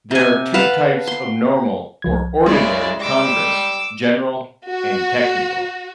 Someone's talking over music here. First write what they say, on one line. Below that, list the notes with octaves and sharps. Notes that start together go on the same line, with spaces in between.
There are two types of normal or "ordinary" congress: General and Technical.
C3 G#5
B4 F5 F#5 A5
C6
C2 F3 G#6
C#3 G#3 E4 D5
G3 D6 E6
F#4